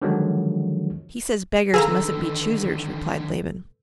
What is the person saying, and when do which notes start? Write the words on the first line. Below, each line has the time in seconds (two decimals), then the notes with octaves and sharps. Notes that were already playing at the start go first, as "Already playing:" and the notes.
"He says BEGGARS MUSTN'T BE CHOOSERS," replied Laban.
0.02 D3 D#3 F3 F#3 G#3 B3
1.74 D3 D#3 G#4 A4 B4 F5 A#5 E6